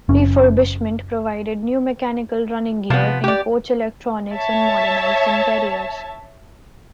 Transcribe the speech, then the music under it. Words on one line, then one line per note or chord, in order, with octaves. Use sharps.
Refurbishment provided new mechanical running gear, in coach electronics and modernised interiors.
F#1 C#4
C3 F3 B3
G4 D5
C#5 E5 A5